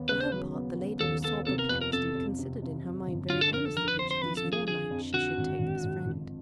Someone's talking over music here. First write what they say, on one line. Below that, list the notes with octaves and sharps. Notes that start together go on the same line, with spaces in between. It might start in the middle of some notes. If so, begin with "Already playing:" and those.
For her part the lady was sore perplexed, and considered in her mind very earnestly, which of these four knights she should take as friend.
Already playing: D#2 B3
C#3 B4
C5
F#3 B4
B3
C#3
D#2 A4
B3 A4
C3 A4
A#4
F2 B4
A#4
C3 A4
F2
C3
C3
C3
G1
D3 F4
A4
F2 A#4
A4
F3 A#4
B4
D3 C5
C5
F3 B4
A4
F3
G#4
D3 G#4
F2
D3 F#4
G#1
G#1
G#1
G#1